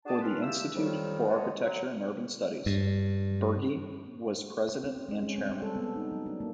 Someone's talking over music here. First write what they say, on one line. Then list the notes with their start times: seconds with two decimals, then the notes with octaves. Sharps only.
For the Institute for Architecture and Urban Studies, Burgee was president and chairman.
0.06 D4 F#4 G#4 D5 A5
0.21 E2 A#2 C#4 D4 B5 C6
0.41 E4 F4 G4 E6
0.74 F2 C3 D#3 F#3 G3
1.27 G2 B2 G#3 B3 D4 C#5
1.60 F#3
2.66 G2
4.84 C4
4.96 C#4
5.09 G#3
5.23 C#4
5.38 C4
5.50 G3
5.62 A4
5.76 B3
5.96 D#4
6.12 F#3
6.26 D4
6.40 A#3